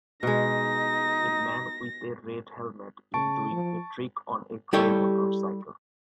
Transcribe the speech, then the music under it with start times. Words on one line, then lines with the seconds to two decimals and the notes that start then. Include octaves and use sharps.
A man with a red helmet in doing a trick on a gray motorcycle.
0.23 B2 G#3 D#4 A#6
3.14 C#3 A5 C#6 D7
3.51 F3
4.73 G3 E4 G4 A4 C#5